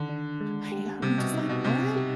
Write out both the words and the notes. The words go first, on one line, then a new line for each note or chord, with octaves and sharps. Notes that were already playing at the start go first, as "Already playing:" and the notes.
I am just like, "What?"
Already playing: D3 D#3
D4
G#3
G4
C3 G3
B2
D#4
B2
C3 C4
G4